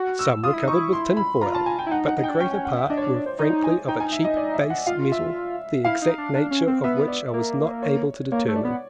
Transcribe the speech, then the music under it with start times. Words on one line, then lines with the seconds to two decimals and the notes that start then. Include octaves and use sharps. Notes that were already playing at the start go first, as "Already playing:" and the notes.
Some were covered with tin foil, but the greater part were frankly of a cheap base metal the exact nature of which I was not able to determine.
Already playing: F#4
0.19 E6
0.43 F4 D#6
0.53 E4
0.64 D#4 C#6
0.74 E4
0.93 C6
1.17 B5
1.41 F4 A#5
1.55 A5
1.66 G#5
1.79 G5
1.86 E4
1.91 D#4 F#5
2.08 F#5
2.18 D#4
2.24 G5
2.29 D4
2.40 C#4 G5
2.53 G5
2.65 F#5
2.77 E5
2.90 D4 D#5
2.97 C#5
3.02 D5
3.14 C#5
3.26 C5
3.39 D#4 D5
3.64 G#5
3.88 D#4 G5
4.00 G#5
4.12 E5
4.25 D#5
4.37 D5
4.54 E5
4.70 F#5
4.87 F4 F5
5.12 E5
5.85 E4 F5
6.02 D#4
6.18 D4
6.35 D4
6.51 C#4
6.67 C4
6.84 B3 E5
7.08 D5
7.33 A#3
7.82 C#5
8.32 A#3 C#5
8.48 A3
8.56 D5
8.64 B3